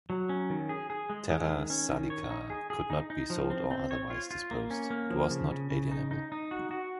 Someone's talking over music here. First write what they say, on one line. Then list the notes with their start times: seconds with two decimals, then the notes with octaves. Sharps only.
"Terra salica" could not be sold or otherwise disposed; it was not alienable.
0.10 F#3
0.29 C#4
0.50 D#3
0.69 G#4
0.90 G#4
1.10 G#3
1.30 G#3
1.50 D#3
1.70 C#4
1.90 D#3
2.10 C#5
2.30 D#4
2.50 G#4
2.70 G#4
2.90 D#4
3.10 D#4
3.30 F3
3.50 C4
3.71 C4
3.91 C#5
4.10 F4
4.31 F4
4.51 A#3
4.71 C#4
4.90 A#3
5.10 F3
5.30 C#3
5.51 C#3
5.70 C#3
5.91 D#4
6.11 D#4
6.32 D#4
6.51 F#4
6.71 F#4